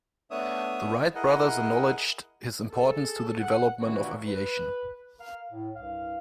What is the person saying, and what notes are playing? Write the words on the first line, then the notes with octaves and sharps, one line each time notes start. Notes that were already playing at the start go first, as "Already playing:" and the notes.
The Wright brothers acknowledged his importance to the development of aviation.
A3 B3 D4 C#5 E5 D#6
E4 G#4 A#4 D#5 F#5
G#4 A4
F#5
G#1 G2 A#2 E3 F#3 F#4
B4
A#4 F5
A2
C2 G2 F5